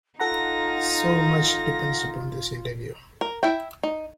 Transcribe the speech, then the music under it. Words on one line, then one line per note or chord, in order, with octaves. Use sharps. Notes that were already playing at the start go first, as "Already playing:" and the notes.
So much depends upon this interview.
D#4 F4 A4 F#5 A#5 A#6
A#4
E4 E5 G5
D#4